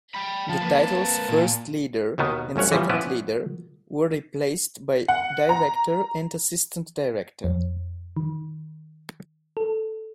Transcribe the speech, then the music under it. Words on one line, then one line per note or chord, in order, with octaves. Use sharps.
The titles First Leader and Second Leader were replaced by Director and Assistant Director.
G5 B5
F3 A5
A#3 B4
A#2
D#2 B2 D#3 B3
G1 D2 C#4 C#5 F#5
E3 F3 G3
F3 B3 C#4 E4 B4 D5
F#5
A#5
F2
D#3
A4